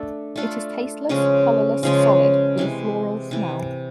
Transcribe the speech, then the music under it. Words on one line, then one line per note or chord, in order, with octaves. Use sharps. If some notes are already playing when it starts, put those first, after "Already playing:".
It is tasteless, colourless solid with a floral smell.
Already playing: A3 D4 A4
A3 D4 F4 A4
C#3 F3 G#3 C#4
C#3 F3 G#3 C#4
C3 E3 G#3
C3 E3